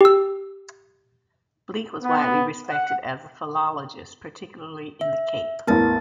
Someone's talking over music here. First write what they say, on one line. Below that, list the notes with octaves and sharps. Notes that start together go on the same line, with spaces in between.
Bleek was widely respected as a philologist, particularly in the Cape.
G4 E6
B3
F#5
E5
A1 E2 B3 A#4 A5 A6